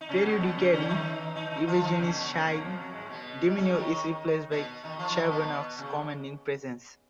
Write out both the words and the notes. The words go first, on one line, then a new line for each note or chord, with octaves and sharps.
Periodically Yvgenie's shy demeanor is replaced by Chernevog's commanding presence.
D#4
C#3 C#4
B2 B3
B2 B3
C#3 C#4
C#3 C#4
D#3 D#4
D#3 D#4
D#3 D#4
F3 F4
D#3 D#4
C#3 C#4
B2 B3
C#3 C#4
A#2 A#3
F2 F3
F#2 F#3
G#2 G#3
B2 B3
D#4
C#3 C#4
D#3 D#4
B2 B3
D#3 D#4
F3 F4
D#3 D#4
B2 B3
C#3